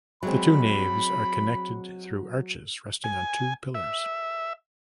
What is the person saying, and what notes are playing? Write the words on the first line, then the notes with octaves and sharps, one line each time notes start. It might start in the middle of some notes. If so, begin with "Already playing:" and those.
The two naves are connected through arches rested on two pillars.
F#3 G#3 C4 B5
G#5
E5